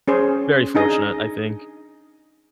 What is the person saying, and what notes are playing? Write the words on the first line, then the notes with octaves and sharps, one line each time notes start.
very fortunate, I think.
C#4 G#4 C5
D4 D#4 G#4 D#5